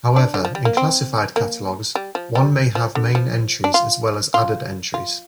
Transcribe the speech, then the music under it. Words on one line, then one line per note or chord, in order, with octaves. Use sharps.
However, in classified catalogs one may have main entries as well as added entries.
D4
D3
F3
G3
A#3
C4
A#3
G3
F3
G3
F3
D3
F3
D4
F4
F4
F4